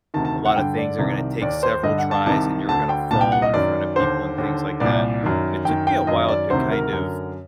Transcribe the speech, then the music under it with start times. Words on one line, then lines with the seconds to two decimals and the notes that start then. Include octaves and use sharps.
A lotta things are gonna take several tries, and you're gonna fall in front of people and things like that, and it took me a while to kind of
0.14 D2 C3 D#3 A5
0.25 A5
0.45 F#5
0.56 G2 D3 G5
0.77 D5
0.98 C2 C3 D#3
1.41 D#2 D#3 D5
1.63 C5
1.83 G2 D3 D#5
1.98 F#5
2.11 A5
2.26 C2 C3 D#3 A5
2.68 D2 D3 A5
2.89 G5
3.11 C2 A#2 A5
3.21 G5
3.32 F#5
3.42 D#5
3.54 F#2 D#3 D5
3.96 D#2 D3 C5
4.38 D#2 D3
4.80 C2 A#2 D5
5.23 F#2 D#3
5.65 F#2 D#3 G5
5.87 G5
6.07 F#2 D#3 D#5
6.29 D5
6.50 D2 C3 D#3 C5
6.72 A#4
6.93 F#2 D3